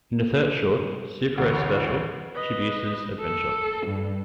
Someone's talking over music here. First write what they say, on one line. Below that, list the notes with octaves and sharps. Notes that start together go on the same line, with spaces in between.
In the third short, SuperS Special: Chibiusa's Adventure!
A1 D2
B4 D#5
A4
G2